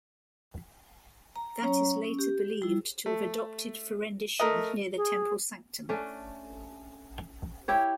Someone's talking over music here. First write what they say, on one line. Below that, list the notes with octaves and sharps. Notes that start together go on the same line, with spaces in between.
That is later believed to have adopted for rendition near the temple sanctum.
A#5
F#3 C#4 C#5 A#5
C#4
G4
G3 E4
A3
A3 A#4 D#5
G#4
A3 C#4 D4
E4 G4 C#5